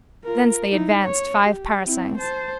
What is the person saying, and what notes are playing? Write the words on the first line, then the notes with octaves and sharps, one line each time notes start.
Thence they advanced five parasangs.
F4 A#4
D#4 E4
C#5
G4
C4 E4
C5 A5